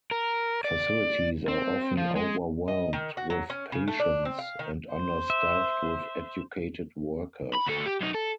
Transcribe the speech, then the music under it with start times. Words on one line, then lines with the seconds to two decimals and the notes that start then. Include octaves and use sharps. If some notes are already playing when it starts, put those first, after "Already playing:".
Facilities are often overwhelmed with patients and understaffed with educated workers.
0.11 A#4
0.64 D5
1.48 C4
1.97 F3
2.16 G#3
2.68 D#5
2.93 D#3
3.17 F#4
3.30 F#3
3.50 C#4
3.72 C#3
3.87 A3
4.00 D4
4.25 C4
4.39 F5
4.59 D#3
4.93 C5
5.30 E5
7.53 B5
7.66 D2 A4
7.86 G4
8.01 F#2 D#4
8.15 A4